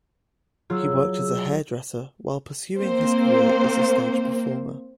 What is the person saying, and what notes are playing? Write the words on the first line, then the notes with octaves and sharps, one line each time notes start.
He worked as a hairdresser while pursuing his career as a stage performer.
F#3 F4 G#4 E6
A#3 C4 C5